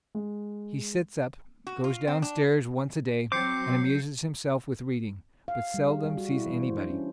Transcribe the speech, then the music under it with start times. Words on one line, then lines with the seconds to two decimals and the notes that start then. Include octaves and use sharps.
He sits up, goes down stairs once a day, and amuses himself with reading, but seldom sees any body.
0.15 G#3
1.67 F#4
1.84 F4
2.07 C4
2.22 D4
3.32 F#3 C4 D6 G6 C7 C#7
5.48 F5
5.74 G3
5.89 G#4
6.05 G3
6.17 F#4
6.31 E4
6.48 E3
6.62 C5
6.78 D4
6.90 C#4